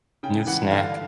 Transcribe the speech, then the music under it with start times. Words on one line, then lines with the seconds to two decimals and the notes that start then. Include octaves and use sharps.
New snack.
0.23 C#3 G5
0.47 E3 F#5
0.71 D3 F5